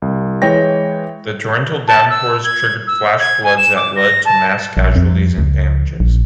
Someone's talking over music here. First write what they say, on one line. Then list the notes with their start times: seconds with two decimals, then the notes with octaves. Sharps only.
The torrential downpours triggered flash floods that led to mass casualties and damages.
0.02 C2
0.42 E3 G#3 C#5 G5 A#6
1.87 A5
2.09 E6
2.44 G#6
2.87 E6
3.20 G#6
3.43 G#5
3.57 E7
3.76 D6
3.96 A#6
4.25 A5
4.77 A#1
4.96 F2
5.38 C#2
6.00 A#1